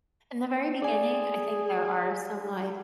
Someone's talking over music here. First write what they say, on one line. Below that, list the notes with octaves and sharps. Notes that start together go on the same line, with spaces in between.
In the very beginning, I think there are some, like
G#4 D5 G#5